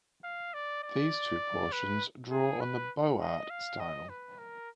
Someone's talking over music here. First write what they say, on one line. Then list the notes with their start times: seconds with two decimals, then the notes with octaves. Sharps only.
These two portions draw on the Beaux-Art style.
0.24 F5
0.54 D5
0.84 D5
1.72 B4
2.31 G#4
2.61 B4
3.21 D#5
3.50 F5
3.80 D#5
4.09 B4
4.38 A#4